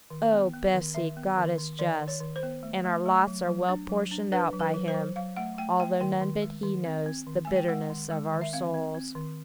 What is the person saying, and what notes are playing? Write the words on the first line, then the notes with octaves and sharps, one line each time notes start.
Oh, Bessy, God is just, and our lots are well portioned out by Him, although none but He knows the bitterness of our souls.'
D#3
B3
B3
D#3
D#3 E5
B3
D#3
D#3
D#3 D5
D#3
C#5
D#3
C5
B3
A3
A3
A3
F#3
F#3
D4
F#3
D4
D4 B4
F#3
B4
F#3
C5
F#3
F#3 F5
A3 F#5
A3 G5
A3 G5
D#3 G5
D#3
G#3
D#3
C4
C4
D#3
G#3 G#5
G5
G#3 F#5
D#3
G#3
D#3
E5
C4 F5
C4
C4
D#3